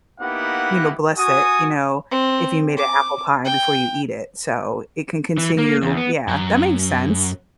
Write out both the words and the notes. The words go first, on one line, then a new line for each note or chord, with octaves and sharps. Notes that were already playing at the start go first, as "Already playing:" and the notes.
you know, bless it, you know, if you made an apple pie before you eat it, so it can continue Yeah, that makes sense.
A#3 B3 D#4 E4 G4 F#5
F#4 G#5 D#6
C4
D6
G5
E3
A#3
E2
B3
F#2